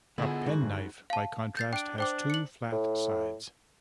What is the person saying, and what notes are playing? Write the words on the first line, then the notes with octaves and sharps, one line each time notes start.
A "pen" knife by contrast has two flat sides.
D3 B3 E4 F4 G#4 F#5
G#2 F#4
G2
F5 A5
G6 A6 C7
D4 G5 D7
D4 C5 G5 D6
C#7 F#7
A2